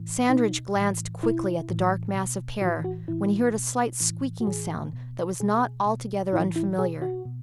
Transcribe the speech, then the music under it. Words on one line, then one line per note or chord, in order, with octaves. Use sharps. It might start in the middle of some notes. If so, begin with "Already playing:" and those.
Sandridge glanced quickly at the dark mass of pear when he heard a slight squeaking sound that was not altogether unfamiliar.
Already playing: A2 E3
B2 D#4
A2 E3
B2 E4
A2 E3
B2
A2 E3 F#4
F#4
A2 E3 E4
B2
A2 E3
F#4
A2 E3 G#4
B2
B2 G#4
B2
A2 E3 E4
E4
B2 G#4
F#4
B2